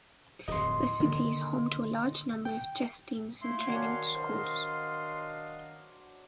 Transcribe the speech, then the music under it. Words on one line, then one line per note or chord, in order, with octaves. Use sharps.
The city is home to a large number of chess teams and training schools.
D1 F2 D#5 C6
D3 D#3 A#3
G5
A3 A#3 E4 C6
D#3 F#3 D4 C#5 F5 G#5
D4 C5 D#5 F5